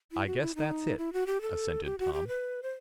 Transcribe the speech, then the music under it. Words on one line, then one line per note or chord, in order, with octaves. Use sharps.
"I guess that's it," assented Tom.
E4
F#4
E4
D#4
E4
F#4
G4
A4
G4
F#4
G4
B4
C5